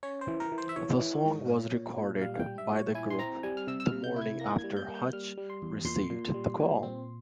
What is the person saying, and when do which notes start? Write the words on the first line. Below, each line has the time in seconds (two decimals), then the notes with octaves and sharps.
The song was recorded by the group the morning after Hutch received the call.
0.03 C#4 C#5
0.21 C5
0.28 E3
0.40 A#4
0.52 E3
0.58 C5
0.69 E5
0.76 E3 C#5
1.01 E3
1.25 G#2
1.50 A#2
1.74 A#2
1.98 A#2
2.21 G3 F5
2.34 F5
2.40 G5
2.46 G3
2.58 E5
2.70 A#2
2.76 C#5
2.95 E4 G#5
3.10 C6
3.19 C4 A#5
3.43 G3 G#5
3.57 F6
3.67 C3 E6
3.80 E6
3.85 F6
3.92 C3
4.04 G6
4.16 E4
4.22 G#6
4.40 A#3 A#6
4.59 G#6
4.64 G3
4.77 G6
4.88 A#3
4.95 G6
5.13 G3 F6
5.37 G3
5.50 C6
5.62 E2
5.85 A#2 C6
6.10 A#2
6.34 G3
6.59 A#2
6.83 C4